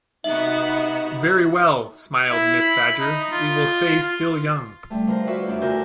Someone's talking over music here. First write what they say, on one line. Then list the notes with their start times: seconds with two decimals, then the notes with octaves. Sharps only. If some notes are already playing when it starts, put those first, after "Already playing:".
"Very well," smiled Mrs. Badger, "we will say still young."
0.24 C3 B3 D#4 F#4 E5
2.29 E4
2.60 B5
2.99 D#4
3.31 F4
4.90 D3 G3 A3
5.07 D3 F3 A#4 C5
5.27 F4 F#4 B4 C#5 D5 E5
5.48 E2 E3 B3 D4 D6
5.62 D2 D3 F#4 A#4 E6 G6